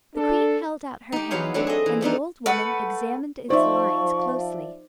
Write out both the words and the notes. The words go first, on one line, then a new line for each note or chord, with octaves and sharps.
The queen held out her hand, and the old woman examined its lines closely.
D4 A4
D#4 G4
E2 F#3 B3 C#5 F5 C6
F#3 A3 C4 D4
G#4 D#5
E3
F3 A3 D4 D#4
A3 B4 F#5
F3 D#4 C5 D5 E5 C#6